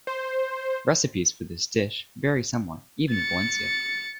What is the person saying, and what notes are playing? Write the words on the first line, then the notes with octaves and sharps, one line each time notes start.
Recipes for this dish vary somewhat, even in Valencia.
C5
A6 C#7